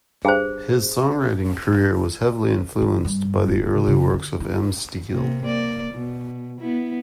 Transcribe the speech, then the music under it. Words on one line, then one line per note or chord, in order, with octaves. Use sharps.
His songwriting career was heavily influenced by the early works of M-Steel.
G2 G#4 C5
E3
G2
D1
C#3
C#3
D3
E4
C3 A#3
A#3 D5
B2
B3 E4